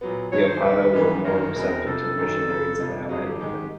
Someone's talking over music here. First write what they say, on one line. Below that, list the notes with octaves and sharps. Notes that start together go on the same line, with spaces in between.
The Opata were more receptive to the missionaries and allied with them.
A#2 F#3 B3
G2 D#3 F#3 C#5
C5
F1 D#2 D#3 G#3 B4
G#1 G#2 E3 G3 B3
G1 F#2 D#3 A#4
E1 E2 B2 G#3 C4 A#4
F2 C3 F3 A4
G#1 F#2 D#3 F#3
F#2 C#3 F3
G1 F2 C3 F3
G1 F2 D3 F#3 G#4
G4
G#2 D#3 G#3